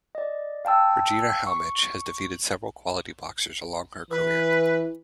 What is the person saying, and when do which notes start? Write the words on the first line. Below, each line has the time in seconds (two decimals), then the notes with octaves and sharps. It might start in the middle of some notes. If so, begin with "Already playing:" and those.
Regina Halmich has defeated several quality boxers along her career.
0.15 D5 D#5
0.65 F5 G5 A5 E6
1.47 C#6
4.10 E3 B4